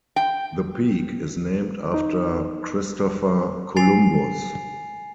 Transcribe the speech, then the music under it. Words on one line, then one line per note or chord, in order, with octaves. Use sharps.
The peak is named after Christopher Columbus.
G5
D#4
G#5 A6 C7 F7